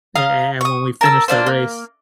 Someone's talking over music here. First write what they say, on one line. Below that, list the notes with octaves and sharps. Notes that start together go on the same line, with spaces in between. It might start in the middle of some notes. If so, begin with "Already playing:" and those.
a a and when we finished that race,
F5 A#5 D#6
C#6 D#6
A#4 A5 E6
A#3 D4 E4 C5
A#3